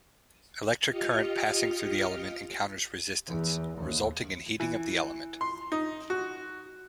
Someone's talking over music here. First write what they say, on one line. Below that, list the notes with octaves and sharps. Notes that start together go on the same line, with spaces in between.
Electric current passing through the element encounters resistance, resulting in heating of the element.
F4 G4 D#5 F6 C#7
E2
D#2
E3
C6
D#4
F#4